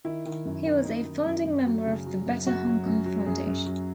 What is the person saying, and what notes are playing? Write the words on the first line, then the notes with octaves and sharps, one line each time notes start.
He was a founding member of the Better Hong Kong Foundation.
D#3 E4
D#3
F#2
D#3
F#2 D#4
D#3
F#2
F#2
F#3
C#3
F#3
F#2
F#2 F#4
F#3
F#2
F#3
F#2 G#4
F#2
F#3